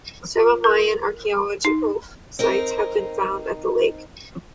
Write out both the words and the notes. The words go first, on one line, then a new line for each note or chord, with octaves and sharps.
Several Mayan archaeological sites have been found at the lake.
F4
A#4
D#4
C4 D#4 A#4